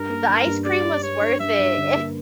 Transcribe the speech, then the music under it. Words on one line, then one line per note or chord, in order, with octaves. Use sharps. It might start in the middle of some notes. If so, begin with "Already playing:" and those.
the ice cream was worth it,
Already playing: G2 A#4
A#3
G2
G2
G4 D5
G4
G3 C#5
D4
G2 E5
G2
D3
A#3